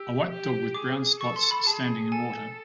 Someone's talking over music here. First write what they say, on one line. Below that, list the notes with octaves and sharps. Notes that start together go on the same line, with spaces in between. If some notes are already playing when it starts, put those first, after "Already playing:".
A white dog with brown spots standing in water.
Already playing: G4 E6
G4
G#4 D6
A4 C#6
C6
B5
G#4 A5
A4 G#5